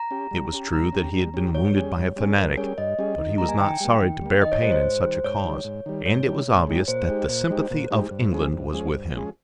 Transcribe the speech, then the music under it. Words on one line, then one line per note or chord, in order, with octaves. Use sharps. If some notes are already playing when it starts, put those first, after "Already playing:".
It was true that he had been wounded by a fanatic, but he was not sorry to bear pain in such a cause, and it was obvious that the sympathy of England was with him.
Already playing: A#5
C#4 G4
G3
C#4 G4
G3 A#5
C#4 G4
G3
C#4 G4
G2 C#5
G3 C#4 G#4
G2
G3 C#4 G#4
G2 A#4
G3 C#4 G#4 C#5
G2 D#5
G3 C#4 G#4
D#3
G3 A#3 A#5
G#5
D#3 G5
G3 A#3
D#3
G3 A#3
D#3 D#5
C#5
G3 A#3 C5
C5
G#2
D#3 G3
G#2 C#5
D#3 G3
G#2
D#3 G3
G#2 C#5
D#3 G3
A#2
G#3 D#4 G4
A#2 C5
G#3 D#4 G4
A#2 C5
G#3 D#4 G4
A#2
G#3 D#4 G4
G2
F3 G#3 C#4 G#4
G2
F3 G#3 C#4 G#4
G2
F3 G#3 C#4 G#4